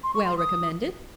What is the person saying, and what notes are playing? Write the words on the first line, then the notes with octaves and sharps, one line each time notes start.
"Well recommended?"
C6
C#6
C6
D#6